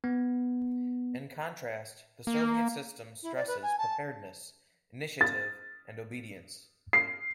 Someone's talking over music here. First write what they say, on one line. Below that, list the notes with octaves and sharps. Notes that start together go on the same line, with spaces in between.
In contrast the Soviet system stresses preparedness, initiative, and obedience.
B3
A#3
E4
D5
B4
G#5
A5
A6
C7